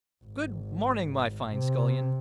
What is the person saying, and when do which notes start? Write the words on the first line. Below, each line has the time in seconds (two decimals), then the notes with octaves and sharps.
'Good-morning, my fine Scullion!'
0.24 G#1
1.50 C3